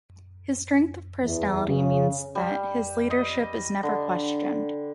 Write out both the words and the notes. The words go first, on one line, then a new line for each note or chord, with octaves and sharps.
His strength of personality means that his leadership is never questioned.
E2
C#3
G3
D#5
D3